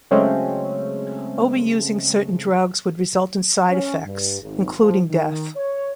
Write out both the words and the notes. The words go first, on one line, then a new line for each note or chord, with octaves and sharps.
Overusing certain drugs would result in side-effects, including death.
C#3 F#3 G#3 A3 C4 C#4
C#4
G2
G#1
F3
D#3
C#5